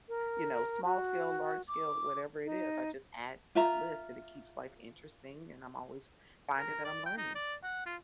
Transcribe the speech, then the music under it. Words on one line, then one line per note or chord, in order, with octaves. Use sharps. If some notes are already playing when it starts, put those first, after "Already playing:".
you know, small scale, large scale, whatever it is, I just add to that list, and it keeps life interesting, and I'm always finding that I'm learning.
A#4
F#4
D6
D#4
F4 E5 A#5
A#4
D5
G5
D#4
D5
F#5
F4